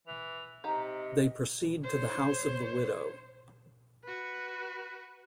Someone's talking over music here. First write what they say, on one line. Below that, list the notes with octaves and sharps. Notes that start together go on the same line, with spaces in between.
They proceed to the house of the widow.
E3 F7
C3 D#4 G4 D#5 A#5
C5 C#5
F#4 B4